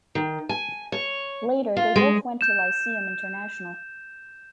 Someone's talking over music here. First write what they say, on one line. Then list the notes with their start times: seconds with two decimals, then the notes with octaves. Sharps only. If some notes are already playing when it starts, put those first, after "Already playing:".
Later they both went to Lyceum International.
0.15 D#3
0.49 G#5
0.92 C#5
1.77 F4
1.96 G#3
2.41 G6 E7